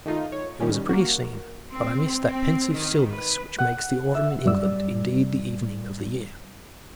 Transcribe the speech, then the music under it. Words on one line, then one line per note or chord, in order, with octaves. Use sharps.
It was a pretty scene; but I missed that pensive stillness which makes the autumn in England indeed the evening of the year.
D#3 A3 D#4 F4
C#5
D#3 G3 C#4
A#3 F#4
C4
C4
D#3
B4
F#5
E5
F#2 G3 D5 E6